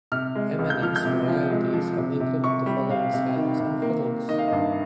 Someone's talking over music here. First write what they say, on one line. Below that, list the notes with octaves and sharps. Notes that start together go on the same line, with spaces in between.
M and M's varieties have included the following sizes and fillings.
C3 F6
G#3
C#2
G6
F3 F6
G6
C3
F3
G#3
F3
C3
C3
C3 C#6
G3
C3 F5
C3
D#3
C3
A#3
A#3
D#3 D#5
F5
G2 D#5